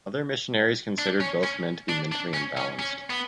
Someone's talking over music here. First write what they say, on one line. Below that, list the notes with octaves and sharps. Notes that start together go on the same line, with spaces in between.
Other missionaries considered both men to be "mentally unbalanced".
D4
C#4
C#4
D4
D4
C#4
C#4
C#4
B3